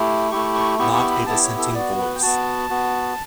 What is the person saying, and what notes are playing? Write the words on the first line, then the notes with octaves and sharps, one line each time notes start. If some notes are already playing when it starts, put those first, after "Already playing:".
Not a dissenting voice.
Already playing: A3 E4 G4
A3 E4 G4 C#6
C#6
B3 E4 G4 C#6
C#6
B5
B3 E4 G4 A5
C#5
A4
B3 F#4 D5
B4
G5
B3 F#4 A5
B3 F#4